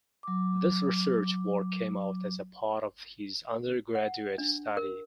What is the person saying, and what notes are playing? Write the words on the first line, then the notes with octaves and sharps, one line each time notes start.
This research work came out as a part of his undergraduate study.
F#3 D6
F#5
D4
A#4